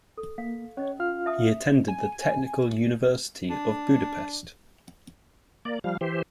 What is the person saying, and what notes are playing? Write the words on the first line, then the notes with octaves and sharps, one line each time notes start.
He attended the Technical University of Budapest.
A4
A#3 F5
C#4 C#5 D#5
F4 F5 F6
E5 A5 D#6
G#5
D4
A#3 D5
F3 G3 F5
E3 G4 C5